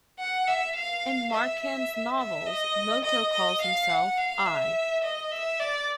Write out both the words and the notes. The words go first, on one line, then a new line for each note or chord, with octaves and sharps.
In Marquand's novels, Moto calls himself I.
F#5
E5
F5
E5
E5
D#5
D#5
D#5
F5
F#5
F5
E5
D#5
E5
D5